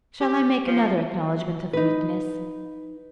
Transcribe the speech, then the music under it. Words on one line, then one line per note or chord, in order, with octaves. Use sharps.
Shall I make another acknowledgment of weakness?
G4
F3
D#4 B4